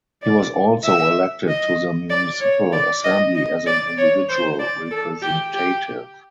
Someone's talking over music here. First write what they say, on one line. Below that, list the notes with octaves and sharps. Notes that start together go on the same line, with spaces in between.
He was also elected to the municipal assembly as an individual representative.
D5
E5
D#5
D5
C#5
D5
D#5
D#5
D5
C#5
C5
D5
A4
G4
G4